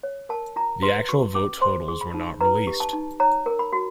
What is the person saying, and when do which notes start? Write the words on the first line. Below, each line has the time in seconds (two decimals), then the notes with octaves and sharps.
The actual vote totals were not released.
0.03 C#5
0.29 A#4 A5
0.56 F4 A#5
0.82 B4 C6
1.09 F#4 C#6
1.35 C#4 D6
1.61 C5 C6
1.88 G#4
2.01 B5
2.14 D#4
2.41 B4 A#5
2.67 G4
2.80 A5
2.93 D#4
3.20 C#5 A#5
3.46 A#4
3.59 B5
3.73 F#4